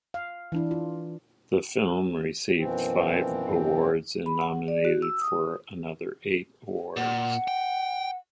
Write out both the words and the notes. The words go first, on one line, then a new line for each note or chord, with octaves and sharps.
The film received five awards and nominated for another eight awards.
F5
E3 D4 E4
F4
F#2 B2 E3 F3 C4
B5
F#5
D5
F#4
E6
D#6
A#2 F#5
G5